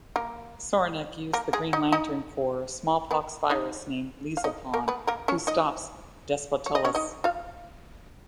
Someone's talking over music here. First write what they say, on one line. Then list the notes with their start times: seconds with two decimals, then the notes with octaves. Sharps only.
Soranik used the Green Lantern Corps smallpox virus named Leezle Pon, who stops Despotellis.
0.16 A#3 A#4
1.33 A#3 A#4
1.53 G#3 G#4
1.73 D#4 D#5
1.92 D#4 D#5
3.11 B3 B4
3.50 D#4 D#5
4.37 F5
4.44 D#4 D#5
4.74 A#3 A#4
4.88 B3 B4
5.07 A#3 A#4
5.28 C#4 C#5
5.47 D#4 D#5
6.66 C#5
6.75 D#5
6.85 C#4 C#5
6.95 D#4 D#5
7.24 F4 F5